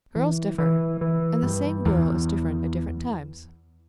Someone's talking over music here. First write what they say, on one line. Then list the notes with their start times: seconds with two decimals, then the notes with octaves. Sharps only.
Girls differ; and the same girl is different at different times.
0.16 E3
0.58 E3
1.01 E3
1.43 G2
1.85 E2